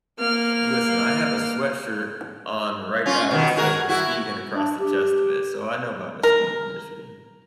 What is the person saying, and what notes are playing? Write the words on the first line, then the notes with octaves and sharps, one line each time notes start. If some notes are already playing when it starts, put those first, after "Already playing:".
Listen, I have a sweatshirt on right now that says Muskegon across the chest of it, so I know about Muskegon, Michigan.
A#3 F6
C#4 F4
B2 D#3
F#4 G#4 A#4
E4 F#4
D4
G4
A#4